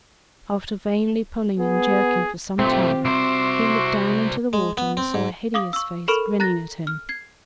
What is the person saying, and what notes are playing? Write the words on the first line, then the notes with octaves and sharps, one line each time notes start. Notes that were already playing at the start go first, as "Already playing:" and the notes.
After vainly pulling and jerking for some time, he looked down into the water and saw a hideous face grinning at him.
B3 G#4
B1 A3 C4 F4 G4
C2 F#4 C5 E5 C6 D6
G#3
B3
C4
G#2
F5 D6 D#6 F#7
C#6 E6
A4 A#4 B5 C#6 F6 D7
A#5 F#6 A6 A#6
F6
G#6 C7